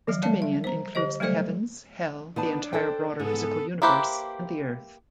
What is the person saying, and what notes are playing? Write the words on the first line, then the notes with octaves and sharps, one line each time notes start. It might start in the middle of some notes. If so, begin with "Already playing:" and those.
This Dominion includes the Heavens, Hell, the entire broader physical universe, and the Earth.
D#3 F3 F#3
G3 C#5 D5 A5
E5
C5 A#5
D3 G4 C5 D#5
F#3 G3 A3 A4 C5 D5
D#3 B3 D4 A5
A4 C5 G5
G#2 B3 G#4 A4
A#3 E4 G4 B4 C5